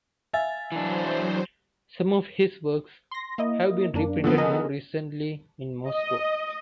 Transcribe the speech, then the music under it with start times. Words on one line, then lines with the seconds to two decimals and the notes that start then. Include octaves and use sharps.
Some of his works have been reprinted more recently in Moscow.
0.33 E5 F5 G#5 A6
0.72 E3 F#3 D4 C5
3.11 C6 A#6
3.38 A#3 E4 D#5
3.94 F#2 A#3 D4
4.24 D3 F3 B3
4.38 G#4 A#4 D#5
5.88 D#5